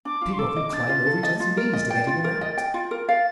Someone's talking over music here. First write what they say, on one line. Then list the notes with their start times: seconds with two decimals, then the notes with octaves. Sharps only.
People can climb over each other's knees to get in or out.
0.05 D4 D6
0.21 F4
0.33 C6
0.38 A4 D6
0.56 D#5
0.72 D4 A6
0.89 F4
1.06 A4
1.23 D#5
1.40 F4 A6
1.57 A#4
1.73 D#5
1.90 G5
2.07 F4
2.24 A#4
2.41 D#5
2.57 G5
2.74 F4
2.91 A#4
3.08 F5 A6